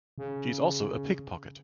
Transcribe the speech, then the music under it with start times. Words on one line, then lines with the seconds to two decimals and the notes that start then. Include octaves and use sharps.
She is also a pickpocket.
0.18 C#3